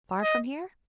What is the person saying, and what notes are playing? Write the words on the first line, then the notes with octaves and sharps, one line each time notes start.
"Far from here?"
D#5